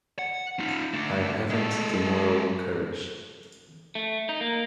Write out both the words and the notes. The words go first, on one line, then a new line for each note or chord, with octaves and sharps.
I haven’t the moral courage.
F#5
D#4 F4
A3 D4
G#3 A4
A3
D#4
A#3